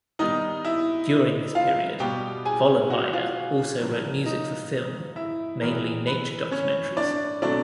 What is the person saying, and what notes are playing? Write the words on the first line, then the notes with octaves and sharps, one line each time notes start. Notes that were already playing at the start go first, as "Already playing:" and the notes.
During this period, Vollenweider also wrote music for film, mainly nature documentaries.
D#3 G3 B3 D#4 D#5
E4 E5
F4 F5
B2 G3 B3 G4 G5
G#4 G#5
F#4 F#5
F#5
F4 F5
A2 F3 A#3
D#4 D#5
E4 E5
A2 E3 G#3 B3 A#4
B4
C#4 C#5
D4 D5
B2 F#3 A3 C4 D4 D5